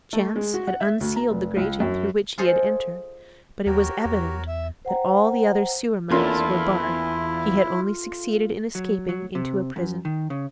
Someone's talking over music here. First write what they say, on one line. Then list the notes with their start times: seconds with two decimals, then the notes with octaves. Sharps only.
Chance had unsealed the grating through which he had entered, but it was evident that all the other sewer mouths were barred. He had only succeeded in escaping into a prison.
0.13 A3
0.36 G#3
0.54 F#4
0.67 F#5
0.81 E5
1.01 D2
1.16 A#5
1.30 F1
1.57 C#2
1.80 F#2
2.38 F4 G#4 A4 C5 D#5
3.66 D#2 F#4 G4 A#4 C#5
4.05 E2
4.47 E5
4.85 C5 F#5 G5 A#5
6.11 E2 A3 A#3 C#4 D4 E4 F4
8.75 F#3
9.09 F#3
9.35 C3
9.76 F#2
10.05 D#3
10.30 C#3